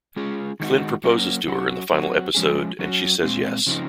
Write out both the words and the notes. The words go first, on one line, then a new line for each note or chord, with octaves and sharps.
Clint proposes to her in the final episode and she says "yes".
G#3 C#4 F4 G#4
D#3 G#3 D#4 F#4
F#3 A#3 C#4 F#4
F#3 C#4 F#4
F#3 C4 F#4
F3 G#3 C#4 G#4
F#3 C#4 F#4
A#2 G#3 C4
C#3 F3 C4 D#4